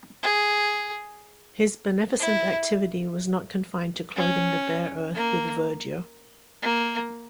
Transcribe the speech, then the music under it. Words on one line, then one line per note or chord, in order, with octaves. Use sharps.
His beneficent activity was not confined to clothing the bare earth with verdure.
G#4
E4
C#4
A#3
A#3